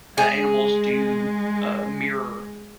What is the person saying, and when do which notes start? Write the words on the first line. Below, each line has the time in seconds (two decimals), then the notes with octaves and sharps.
a animals do, uh, mirror,
0.18 G#3 G#4